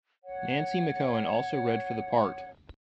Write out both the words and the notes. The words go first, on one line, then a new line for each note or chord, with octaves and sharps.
Nancy McKeon also read for the part.
C#5 F#5